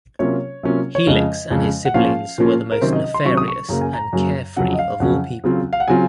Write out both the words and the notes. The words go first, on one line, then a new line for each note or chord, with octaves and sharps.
Helix and his siblings were the most nefarious and carefree of all people.
C3 F#3 A#3 C#4 F4 C#5
C3 F#3 A#3 C#4 F4
C#5
F2 C#3 G#3 D#5
F2 C#3 G#3
F#5
A#2 F3 A#3 C#4 F4 F5
A#2 F3 A#3 C#4 F4
A#4
C3 D#3 F#3 C#4 C5
D#5
D#5
C6
C3 D#3 F#3 C#4 C#6
D#6
C#6
F#2 C#3 F#3 A#3 A#5
G#5
A#5
F#2 C#3 F#3 A#3
F2 C#3 F#3 C#4 F#5
D#5
F5
F2 C#3 F#3 C#4 F#5
C#3 F#3 C4 F4
F5
F#5
C#3 F#3 C4 F4 G#5